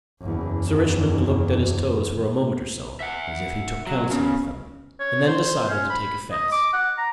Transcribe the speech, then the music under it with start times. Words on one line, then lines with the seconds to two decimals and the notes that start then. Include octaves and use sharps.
Sir Richmond looked at his toes for a moment or so as if he took counsel with them and then decided to take offence.
0.20 F#1 E2
3.00 E5 F#5
3.87 F#3
4.11 C#3 B3 C#4
5.00 C#5
5.27 C5
5.70 C#4
5.90 B5
6.32 D#5
6.52 D6
6.73 F#5
6.98 A#5